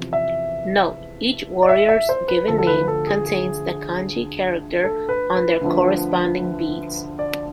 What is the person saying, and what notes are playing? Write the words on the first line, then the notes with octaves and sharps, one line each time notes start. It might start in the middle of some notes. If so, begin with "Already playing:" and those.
Note: each warrior's "given name" contains the kanji character on their corresponding bead.
Already playing: E2 C3 F3
E5
D5
E5
E5
C5
B4
D2 D3 F3 A4
A4
B4
A4
G#4
G#4
A4
B4
B4
D2 D3 F3
D5